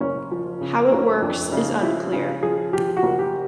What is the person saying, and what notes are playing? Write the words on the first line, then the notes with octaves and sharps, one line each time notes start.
How it works is unclear.
F#1 C#4
F3
C#3
F#1 C#4
F2 D4
C#3 D#4
F3 E4
C#3 F4
F3 G#4
F3 G4
F#4
F#1
G4